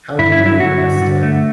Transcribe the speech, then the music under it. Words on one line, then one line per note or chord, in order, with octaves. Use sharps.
How do you do, Esther?
G2 E4
E4
F#3
E4
D3 F#4
G2
D3
A3